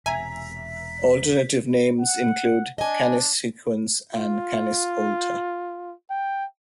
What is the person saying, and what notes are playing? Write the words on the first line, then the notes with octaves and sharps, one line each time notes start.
Alternative names include Canis Sequens and Canis Alter.
E1 C3 E5 G#5 A#5 B6
F#5
D4 D#5 G#5
F4
G5